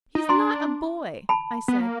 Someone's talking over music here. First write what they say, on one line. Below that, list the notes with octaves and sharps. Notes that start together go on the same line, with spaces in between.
"He is not a boy," I said.
D#4
D4 A#5 C6
A5 B5
B3
A#3